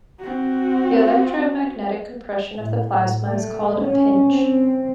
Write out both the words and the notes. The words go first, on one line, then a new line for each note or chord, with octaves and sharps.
The electromagnetic compression of the plasma is called a "pinch".
C4 F#4
A2
A3
C#4
C4